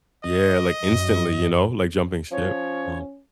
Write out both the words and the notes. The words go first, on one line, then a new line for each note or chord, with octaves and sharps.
Yeah, like, instantly, you know, like jumping ship, uh-huh,
D#5
F#2
F3 C#4 C#5